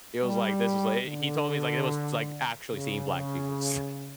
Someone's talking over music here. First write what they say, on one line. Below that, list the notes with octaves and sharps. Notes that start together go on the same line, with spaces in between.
He was like, "This is like" he he told me, he's like, "It was like actually seeing Black Jesus."
G3
D3
C#3